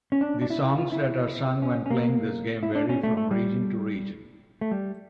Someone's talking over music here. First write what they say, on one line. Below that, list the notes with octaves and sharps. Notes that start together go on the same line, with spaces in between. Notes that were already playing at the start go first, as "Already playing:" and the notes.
The songs that are sung when playing this game vary from region to region.
C#4
D4
D4
E4
E4
F4
E4
C#4
C#4
A#3
E4
D4
C#4
A3
A3
G3
A3
G3